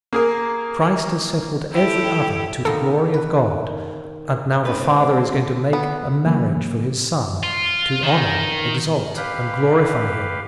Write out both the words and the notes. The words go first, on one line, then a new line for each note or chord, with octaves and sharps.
Christ has settled every other to the glory of God; and now the Father is going to "make a marriage for his Son,"--to honor, exalt, and glorify him.
A#3 G#4 A#4
E4 G4 A4
D#3 A#3 B3 D#4 A4
B4
C#2 C4 C#4 D#4 B4 G#5
B3
C#3 E3 F#3 A#3
F4
D#3
G4 B4 F5